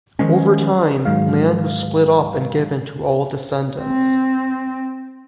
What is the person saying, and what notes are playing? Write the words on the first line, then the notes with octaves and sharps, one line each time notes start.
Over time, land was split up and given to all descendants.
D#3 F3 G#3 C#4
G#2 D#3 F#3 G#3 F5
C4